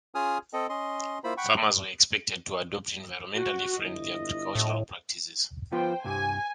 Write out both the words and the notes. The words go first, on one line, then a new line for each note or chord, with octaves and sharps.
Farmers were expected to adopt environmentally friendly agricultural practices.
C#4 F4 G#4 G#5 D#6 F6
C4 A4 D#5
C#4 D#5 C6
A#3 E4 F4 C5 B5
F#5 G5 B5 C#6
F#4
G1 E4 D#5
A2
F3 B3 F4 C5 G5
C2 G2 G4 G#5